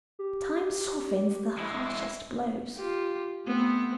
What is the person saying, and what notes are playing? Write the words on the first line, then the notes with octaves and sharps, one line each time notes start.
'Time softens the harshest blows.
G4
G#3 E4
F4 G4
A3 B3 C4